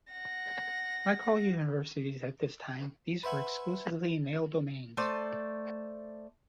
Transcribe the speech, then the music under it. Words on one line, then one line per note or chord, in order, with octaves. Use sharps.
Like all universities at this time, these were exclusively male domains.
F#5 A#6
B4 C5 E5 F#5 G#5
A3 C5 D5